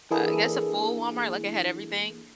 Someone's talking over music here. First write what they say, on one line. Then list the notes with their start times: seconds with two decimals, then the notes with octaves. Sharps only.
Uh, I guess a full Walmart, like, it had everything.
0.11 E3 A#3 D4 E4 G#4 A4